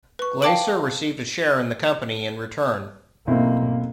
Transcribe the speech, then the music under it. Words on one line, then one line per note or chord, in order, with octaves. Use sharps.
Glaser received a share in the company in return.
B4 C#6
F5 G5 A5 D6 D7 F#7
B1 A#3 C4 E4